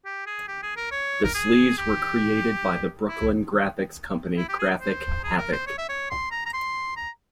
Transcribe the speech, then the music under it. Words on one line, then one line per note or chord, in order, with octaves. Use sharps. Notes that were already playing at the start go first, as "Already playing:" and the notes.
The sleeves were created by the Brooklyn graphics company Graphic Havoc.
G4
G#4
G4
G#4
A#4
C#5
A#4
G#4
G4
E4
E4
G4
G#4
C5
G#4
A#4
C5
C#5
E5
C#5
C6
A#5
A#5
C6
A#5